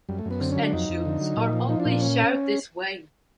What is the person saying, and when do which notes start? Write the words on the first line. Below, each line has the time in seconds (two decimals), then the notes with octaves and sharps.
Books and shoes are also shared this way.
0.09 F#2 G3
0.19 A3
0.25 F#2
0.31 B3
0.41 D3 C4
0.52 F#3 C#4
0.62 D4
0.73 F2 D#4
0.89 F2
1.05 D3
1.21 F#3
1.37 A#2
1.53 F3
1.69 F3 D#4
1.80 D4
1.85 A#2
1.91 D4
2.02 C#4